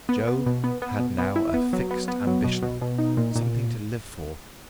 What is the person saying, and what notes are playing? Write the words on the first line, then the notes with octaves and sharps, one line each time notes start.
Joe had now a fixed ambition--something to live for.
B3
B3
B2
B3
B3
B2
B3
E4
B3
F#3
B3
B3
F#3
B2
B2
B2
D#4
A#2
A#2